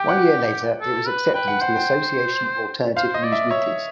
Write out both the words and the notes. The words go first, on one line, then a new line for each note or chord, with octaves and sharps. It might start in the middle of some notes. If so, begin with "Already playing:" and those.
One year later, it was accepted into the Association of Alternative Newsweeklies.
Already playing: G4 G5
F#5
A4
B4
B4 G5
F#5
C5 F#5
G5
C5 F5
D#5
D5
E5
C#5 E5